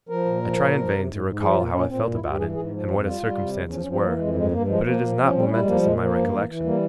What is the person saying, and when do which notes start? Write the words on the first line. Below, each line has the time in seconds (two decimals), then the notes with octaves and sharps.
I try in vain to recall how I felt about it, and what its circumstances were; but it is not momentous in my recollection.
0.09 F3 A#4
0.25 A#2
0.42 F3
0.58 A#2
0.75 F3
0.91 C3
1.07 G#2
1.24 G#2
1.40 F3 G#4
1.49 G4
1.57 A#2 F4
1.73 A#2 C#4
1.89 A#2 C4
2.06 G2
2.14 E4
2.22 G2 F4
2.31 G4
2.38 E3 G#4
2.55 G#2 G#4
2.71 F3
2.88 F2
3.04 G3 F4
3.21 G3
3.37 C3
3.53 E2
3.70 F3 C#4
3.80 C#4
3.86 F3
3.91 C4
4.02 E3 A#3
4.18 F2 G#3
4.35 G2 G#3
4.51 G2 A#3
4.67 F3 G#3
4.84 F3 A#3
5.01 F3
5.17 F3
5.22 C#4
5.33 G3 C4
5.42 C#4
5.49 G3 E4
5.59 G#3
5.66 F3 A#3
5.82 A#2 G#3
5.99 F3 A#3
6.15 G2
6.31 E3
6.48 E3
6.65 G3 A#3